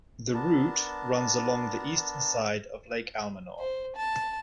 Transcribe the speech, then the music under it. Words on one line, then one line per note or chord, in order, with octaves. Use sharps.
The route runs along the eastern side of Lake Almanor.
B3 D4 A#4 A5
C5
A5